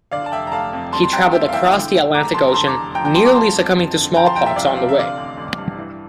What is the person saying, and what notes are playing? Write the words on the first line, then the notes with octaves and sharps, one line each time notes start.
He traveled across the Atlantic Ocean, nearly succumbing to smallpox on the way.
D3 D5 F5
A5
F1 E5 G5
A#5
A3 F5 A5
F2
G3 A5 C6
C6
F2 G5 A#5
A#3 E5 G5
F5
E3 E5 G5
D3
E1
A3 A#5 D6
E2 A5 C6
A#5
D3 A5 C6
A#5 D6
F1
F3 G5 A#5
G5 A#5
F2 A5 C6
A#5 D6
F3 A5 C6
F2
F2
D3
F3 G5 A#5
A5 C6
C2 G5 A#5
E5 G5
C2 D5 F5
C3 F5
E5
D3 D5 F5
A1
A1
G2
E3